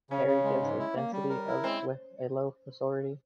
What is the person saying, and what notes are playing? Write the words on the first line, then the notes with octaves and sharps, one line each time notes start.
Carry gives a density of with a low porosity.
C#3 C#4
C#3
G#3
G#2
E4
A#3
G3
A#4
E4
G#3 C4